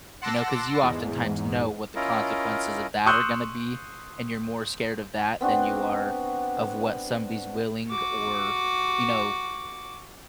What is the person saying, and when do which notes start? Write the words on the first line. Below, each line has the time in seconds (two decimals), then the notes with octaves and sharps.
You know, 'cause you oftentimes know what the consequences of that are gonna be, and you're more scared of that than you are of what somebody's willing or, you know,
0.22 F#5 A5 C6 D6 E6 A#6
0.81 E2 G#2
1.96 C#4 E4 F4 A#4 D#5
3.06 C6 C#6 D#6 E6 F#6 G6
5.41 B3 C4 D4 F#4
7.90 F#4 D6